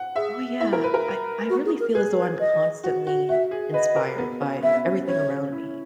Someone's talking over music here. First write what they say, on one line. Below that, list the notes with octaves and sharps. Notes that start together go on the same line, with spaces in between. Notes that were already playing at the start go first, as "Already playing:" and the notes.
Oh, yeah. I I really feel as though I'm constantly inspired by everything around me,
Already playing: F#5
G#4 E5
E4 E5
A#4
B4
A#4
F#4
G#4
A#4
G#4 B4
B4
D#5
F#4
F#4
F#4 E5
G#4
B4 D#5
A#4
B3
C#4
B3 E5
B3
C#4
C#4 C#5
C#4
E4